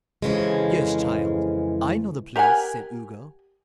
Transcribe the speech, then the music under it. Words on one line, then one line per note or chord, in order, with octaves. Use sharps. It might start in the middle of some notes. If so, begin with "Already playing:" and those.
"Yes, child, I know the place," said Ugo.
F2 A2 C#3 E3 F3 G#3
G4 A#4 F#5 G#5